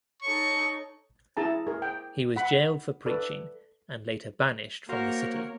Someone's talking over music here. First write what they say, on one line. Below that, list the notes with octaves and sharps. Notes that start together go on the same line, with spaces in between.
He was jailed for preaching and later banished from the city.
D#4 A4 C#5 C#6
E4 G#4 A5 A#5
G#4 A#4
G5
F#5 B5
A4 B4 D5
A#3 F#4 A#4 C5 C#5 F5 A#5